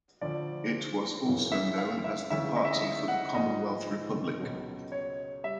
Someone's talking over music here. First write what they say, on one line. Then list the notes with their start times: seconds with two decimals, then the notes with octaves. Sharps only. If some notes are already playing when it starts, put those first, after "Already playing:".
It was also known as the Party for the Commonwealth-Republic.
0.21 D2 D3 F3 D5
1.26 F#2 C#3 E3
1.52 E5
1.78 F5
2.04 E5
2.30 D2 C#3 E3 E5
2.56 D#5
2.65 E5
2.73 D#5
2.82 E5
3.08 F#5
3.35 G#2 F3 D#5
4.39 C#2 B2 F#3
4.92 C#5
5.44 G3 E5